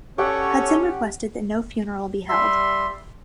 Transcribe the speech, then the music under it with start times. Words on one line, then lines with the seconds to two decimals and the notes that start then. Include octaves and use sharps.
Hudson requested that no funeral be held.
0.18 C#4 G4 A4 C#5 F#5
2.29 G3 E5 C6